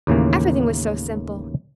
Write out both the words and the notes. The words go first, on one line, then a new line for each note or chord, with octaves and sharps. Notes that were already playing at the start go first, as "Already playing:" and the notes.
Everything was so simple.
D#2 A2 C#3 E3 A#3